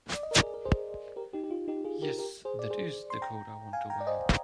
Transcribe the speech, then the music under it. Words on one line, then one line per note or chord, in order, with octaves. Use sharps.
Yes, that IS the coat I want to wear.
D5
D#5
A#4 D5
G#4
A#4
G#4 C5
G4 A#4
D#4 G4
G4
F4
D#4 G4
F4 G#4
G4 A#4
G4 A#4
G#4 C5
D5
G#4 C5
C6
G5 A#5
F5 G#5
G5 A#5
D5
C5 D#5